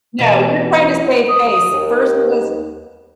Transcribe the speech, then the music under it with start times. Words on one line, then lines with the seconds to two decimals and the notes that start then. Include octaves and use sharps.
No, you're trying to save face. First it was,
0.19 B2 E3 B3
1.29 D#6
1.72 D#2